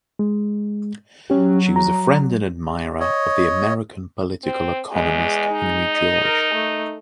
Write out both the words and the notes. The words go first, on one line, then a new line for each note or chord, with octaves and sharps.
She was a friend and admirer of the American political economist Henry George.
G#3
F#3 C#4 G4
A#5
C#5 D#5
C4
E2 G#3
D#4
D#5
A#4
A3